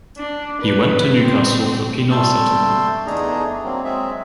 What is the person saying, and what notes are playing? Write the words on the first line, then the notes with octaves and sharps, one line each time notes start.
He went to Newcastle for penal settlement.
D4
B4
C4
G3 A3 G5 A5 C6 E6
E2 A3 D4 D#4 G#4 A#5
F#3 A#3 C4
F#3 G#3 C4 G#4 E5